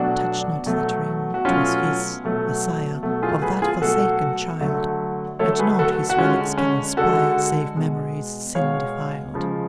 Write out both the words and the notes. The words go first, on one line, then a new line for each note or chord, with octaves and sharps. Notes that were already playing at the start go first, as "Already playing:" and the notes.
Touch not that ring; 'twas his, the sire Of that forsaken child; And nought his relics can inspire Save memories, sin-defiled.
Already playing: B2 F#3 A3 D4 F#4
B2 F#3 A3
F#4
B2 F#3 A3 C#4 F4
B2 F#3 A3
B2 F#3 A3
F4 G#4
G#4 B4
F4 G#4
B2 F#3 A3 F#4 A4
D3 F#3 A3
D3 F#3 A3 A4 C#5
G#4 B4
F#4 A4
F#4
D3 G#3 C#4 F4
C#4
D3 G#3 F#4 A4
B2 G#3
B2 G#3 C#5 F5
C#3 F3 G#3